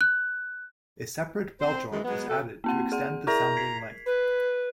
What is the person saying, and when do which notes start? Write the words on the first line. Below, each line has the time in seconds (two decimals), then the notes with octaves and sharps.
A separate bell joint is added to extend the sounding length.
0.01 F#6
1.60 C4 C5
1.92 F#2 D#3 E3 G#3
2.05 F#3 G#3 B3
2.29 B2 A4
2.64 A#3 C4 F#5
2.92 G#4 F#5
3.27 E4 G#4 A#4 A#5
3.57 G#6 B6 C7
4.06 B4